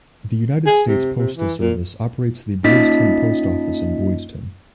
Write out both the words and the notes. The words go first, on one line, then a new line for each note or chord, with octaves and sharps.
The United States Postal Service operates the Boydton Post Office in Boydton.
G#4
C3
C3
E3
A#2
A#3 C#4 D#4 F4 D#5 B6